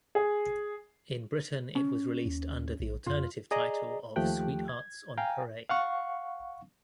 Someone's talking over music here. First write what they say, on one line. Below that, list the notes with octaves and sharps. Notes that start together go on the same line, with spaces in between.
In Britain it was released under the alternative title of Sweethearts on Parade.
G#4
C#4
D#2
A#1
F2 F4
G#4 D5 D#5 A#5
D#2 F3 A3 G4 G5 F#6
G#6
F5 G5 G#5 A#5
F5 F#5 C#6